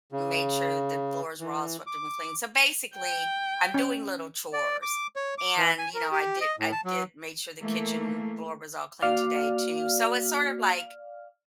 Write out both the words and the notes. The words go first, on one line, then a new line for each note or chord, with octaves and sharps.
made sure the floors were all swept up and clean. So basically, I'm doing little chores, and, you know, I did I did made sure the kitchen floor was all clean today, too. So it's sort of like
C#3
E3
D6
G5
C#4
D5
D6
C#5
D6
E3
G#5
A#4
G4
D#5
A2
A5
F#3
E3 A3 A#3
A#3 F#4 D5 F5 F6